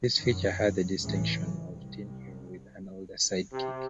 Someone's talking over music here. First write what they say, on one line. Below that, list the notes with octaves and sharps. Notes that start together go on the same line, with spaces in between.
This feature had the distinction of a teen hero with an older sidekick.
F#2 D#3
C#2 A2 E3
C2
C3